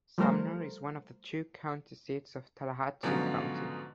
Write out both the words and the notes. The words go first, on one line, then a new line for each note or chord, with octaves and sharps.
Sumner is one of the two county seats of Tallahatchie County.
F3 G3 A3 A#4 C5
G#2 B2 D3 F3 F#3 C#4